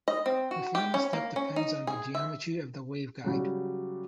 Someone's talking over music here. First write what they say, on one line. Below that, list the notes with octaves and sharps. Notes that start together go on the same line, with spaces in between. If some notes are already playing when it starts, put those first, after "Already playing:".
The final step depends on the geometry of the waveguide.
D#5
C4
F#4
G4
C#4
A#3
C#4
D#4
G#4
E5
C#3 F#3 G3